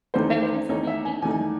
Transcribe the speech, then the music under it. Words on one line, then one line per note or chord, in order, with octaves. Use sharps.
our kids will be beautiful.
E2 D#3 A3 D#4 C5
C5
E2 D#3 A3 D#4 C#5
E5
G#5
E2 D#3 A3 D#4 G#5